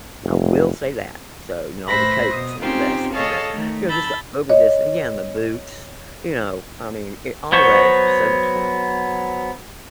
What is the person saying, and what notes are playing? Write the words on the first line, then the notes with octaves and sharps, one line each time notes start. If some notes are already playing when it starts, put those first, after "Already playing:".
I will say that. So, you know, all the coats, and the vests, and the you know, just the over this. Again, the boots. You know? I mean, it always is so much fun.
F1
A2 B4 C5 E5 B5 A#6
B2 D#6
C4 C#4 D#4 F4 G4 C5
G#4 A4 C#5 D#5 F5 A5
D#3 A3
A5 B5 E6 G6 A6
C#5 D#5
F#3 B3 C5 C#6